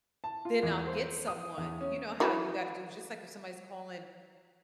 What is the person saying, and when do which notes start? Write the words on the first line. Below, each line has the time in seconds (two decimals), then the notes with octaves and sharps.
then I'll get someone," you know how you gotta do just like if somebody's calling
0.24 A5
0.45 F4
0.63 E2
0.87 C5
1.27 D#6
1.58 E2
1.81 C#4
2.20 E3 F#4 B4